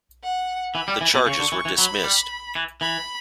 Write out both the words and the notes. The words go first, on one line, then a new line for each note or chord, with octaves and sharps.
The charges were dismissed.
F#5
E3 B5
G3
E3
B2
C#3 C#6
D3
E3
E3
F#3 B5
G3
E3
E3 B5